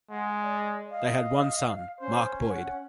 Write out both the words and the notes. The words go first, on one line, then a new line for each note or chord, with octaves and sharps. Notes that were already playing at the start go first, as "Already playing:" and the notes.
They had one son, Mark Boyd.
G#3 F#5
D5
D#5 F5
C#4 C5
F#5